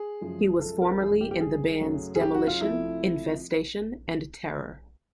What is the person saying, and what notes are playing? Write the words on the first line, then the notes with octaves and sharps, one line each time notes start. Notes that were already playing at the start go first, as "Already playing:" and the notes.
He was formerly in the bands Demolition, Infestation and Terror.
Already playing: G#4
F#2 C#3 F3 G#3
A4
A#4
G2 E3 G#3 G#4
G4
G4
G#4
F#2 C#3 F#3 A3
G#4
G4
F#4
F4
C3 F3 A3 E4